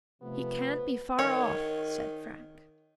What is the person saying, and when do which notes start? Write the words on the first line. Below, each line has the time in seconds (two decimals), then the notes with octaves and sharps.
"He can't be far off," said Frank.
0.22 C3 F3 A3 B3
1.19 D#3 C#5